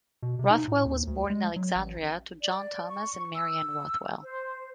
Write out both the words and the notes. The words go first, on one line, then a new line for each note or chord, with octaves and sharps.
Rothwell was born in Alexandria to John Thomas and Mary Ann Rothwell.
B2
C3
D#4
A2
D#2
D2
G#3
F#3
A1
D5
C#6
E6
C5